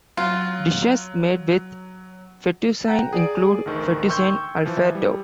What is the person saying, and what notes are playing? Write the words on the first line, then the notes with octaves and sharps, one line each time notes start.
Dishes made with fettuccine include Fettuccine Alfredo.
F#3 F4
F#5 G5 A#5
G#4 D5 D7
A1 D2 D#3 C#6
G5 C6 C#6 E6 G6 G#6
E3 F3
G3